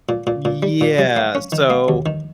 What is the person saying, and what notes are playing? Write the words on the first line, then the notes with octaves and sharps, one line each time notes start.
Yeah, so
A#2
A#2
A#2
G3
A#2
G3
A#3
C#4
D#3
A#3
D#2
D#3